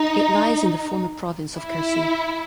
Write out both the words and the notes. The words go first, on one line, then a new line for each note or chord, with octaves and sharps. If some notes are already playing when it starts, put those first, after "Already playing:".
It lies in the former province of Quercy.
Already playing: D#4
E4